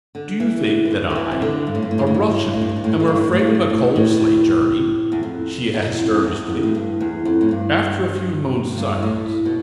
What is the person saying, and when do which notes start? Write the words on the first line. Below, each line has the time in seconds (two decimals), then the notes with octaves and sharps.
"Do you think that I, a Russian, am afraid of a cold sleigh journey?" she asked earnestly, after a few moments' silence.
0.15 D3
0.40 E3
0.65 D3
0.85 E3
0.91 D3
1.10 F3
1.15 E3
1.31 C3
1.42 D3
1.67 G2
1.75 A2
1.82 G2
1.91 A2
1.98 G2
2.07 A2
2.15 G2
2.22 A2
2.30 G2
2.38 A2
2.46 G2
2.54 A2
2.61 G2
2.69 A2
2.76 G2
2.84 A2
2.92 G2
3.00 A2
3.08 G2
3.15 A2
3.24 G2
3.32 A2
3.39 G2
3.47 A2
3.55 G2
3.70 A2
3.96 A2
5.12 E2
5.23 F2
5.74 E2
5.98 F2
6.24 E2
6.49 F2
6.63 A2
6.75 G2
7.00 E2
7.25 F2
7.41 A2
7.51 G2
8.72 A2
8.78 G2
9.03 A2
9.45 B2